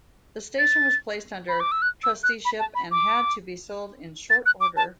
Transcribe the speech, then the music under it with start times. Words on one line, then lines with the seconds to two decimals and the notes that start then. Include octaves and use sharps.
The station was placed under trusteeship, and had to be sold in short order.
0.59 A6
1.49 B5
1.60 D6
1.72 E6
1.82 F#6
2.04 E6
2.23 F#6
2.45 B5
2.59 A5
2.75 B5
2.91 D6
4.30 A6
4.46 F#6
4.61 D6
4.77 A5